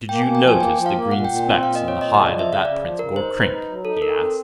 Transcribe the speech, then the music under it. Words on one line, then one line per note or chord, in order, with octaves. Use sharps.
"Did you notice the green specks in the hide of that Prince Gorkrink?" he asked.
A#3 G5
G#5
A#3
G5
F3 G#5
A#3 G5
F3
F5
A#3
A#2 F#5
G5
A#2
G5
C4
A#2 F5
D#5
C4
C#5
A#2 D#5
C#3 D#5
D5
F3
E5
C#3 F5
C#3 D5
F3
C#3 A#4
D#4 C5
D#4
B4
D#4
F#3
D#4 A4
A4
D#4 A#4
C4